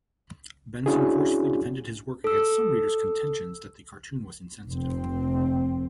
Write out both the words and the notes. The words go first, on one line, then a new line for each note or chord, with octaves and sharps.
Benson forcefully defended his work against some readers' contentions that the cartoon was insensitive.
C#4 D4 E4 F#4 G#4
A4 E6
F1 C4